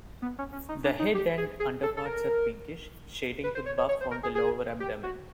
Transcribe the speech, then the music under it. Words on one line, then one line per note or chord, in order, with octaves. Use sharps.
The head and underparts are pinkish, shading to buff on the lower abdomen.
B3
C#4
C#4
D#4
D4
D#4
G4
G#4
G#4
A4
A4
A#4
B4
C5
C#5
C#5
C#5
C5
A#4
G#4
G#4
G4
F#4